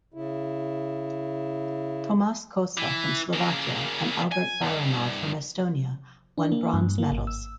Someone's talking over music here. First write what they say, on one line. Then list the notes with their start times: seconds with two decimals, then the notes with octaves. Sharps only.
Tomas Kosa from Slovakia and Albert Baranov from Estonia won bronze medals.
0.14 C#3 E4
2.78 E3
3.33 C#3 A#3
4.32 G#5
4.62 C2 G2
6.38 D4
6.52 A#3
6.74 G2
6.98 A#3
7.11 G#1
7.27 E6